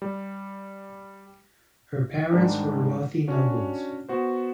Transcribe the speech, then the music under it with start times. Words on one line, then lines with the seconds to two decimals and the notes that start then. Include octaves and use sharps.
Her parents were wealthy nobles.
0.02 G3
2.32 G#2 D#3 G3 G#3 D4 D#4
3.28 C#4 D4 F#4 C#5
4.09 B3 F#4 C5